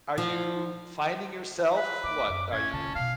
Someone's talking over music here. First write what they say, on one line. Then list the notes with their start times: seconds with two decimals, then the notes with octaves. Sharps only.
are you finding yourself, what, are you
0.18 F3
1.77 B4
2.04 A#3 D6
2.28 F#2
2.52 A1 C#4 G#6
2.73 E1 D3 A5
2.95 B2 C#4 F5